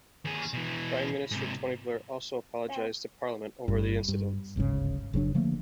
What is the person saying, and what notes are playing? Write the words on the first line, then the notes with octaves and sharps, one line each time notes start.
Prime Minister Tony Blair also apologised to Parliament over the incident.
D#2 G#4
B2 E3
G#2 C3
G1 G2
G2
D1 G1 G#2 C#3
F1 C#3 F#3 D4
D3 F3 A3 A#3